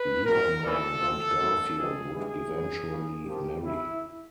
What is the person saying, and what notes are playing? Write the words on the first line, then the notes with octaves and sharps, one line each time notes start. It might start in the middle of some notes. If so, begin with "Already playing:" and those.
Lieberman and Garfield would eventually marry.
Already playing: B4
F2 C#3 F#3 A#4
D#2 C#3 E3 G3 B3 A4
A#1 A2 F3 A3
F#2 D#3 F#3 A3
F2 C3 D#3 G#4
G2 E3 G#3 B3 G#4
A#1 G#2 E3
C#2 C#3 F3 A#3
A1 G#2 F3 A#3 G4
D#2 C#3 F#3 E4